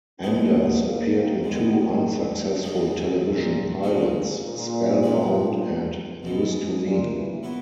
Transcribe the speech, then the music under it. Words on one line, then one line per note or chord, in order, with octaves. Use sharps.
Anders appeared in two unsuccessful television pilots, "Spellbound" and "News To Me".
E3 G#3 B3 E4 G#4 D#5
F#3
A#3
D#3
A#2 D#3 G#3 B3
G#2 C#3 F#3 A#3 D#4 G#4
A#2
A#2 D#3 G#3 D#4 G#4 C#5
A#2
G#3 B3 D#4 G#4 B4
G#2 B2 E3 G#3 D#4
A#2
E3
F#3 B3 E4 B4